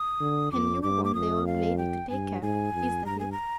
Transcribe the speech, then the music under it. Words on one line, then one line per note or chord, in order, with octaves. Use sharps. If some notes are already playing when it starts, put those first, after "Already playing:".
"And you want the old lady to take her, is that it?"
Already playing: D#6
D3
F2 D6
G2 D6
D6
F2 D#6
F5
G5
G2 G#5
G#2 G#5
F2
G2 A#5
G#5
A#5